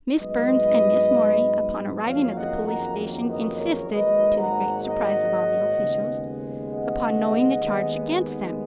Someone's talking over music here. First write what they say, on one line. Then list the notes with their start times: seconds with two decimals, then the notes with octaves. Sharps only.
Miss Burns and Miss Morey upon arriving at the police station, insisted, to the great surprise of all the officials, upon knowing the charge against them.
0.19 G#2 F#3 B3 B4 D#5
2.05 F#1 F2 D#3 F#3 A#3 C#5 F5
2.37 D#5 F#5
2.68 F#5 A#5
3.29 B4 D#5
3.60 A#4 C#5
3.91 G#1 G#2 F#3 A#3 B4 D#5
4.38 F#5 A#5
4.84 D#5 F#5
5.77 D#2 C#3 G#3 B3
6.70 D#5 F#5
7.63 D#2 D#3 G#3 B3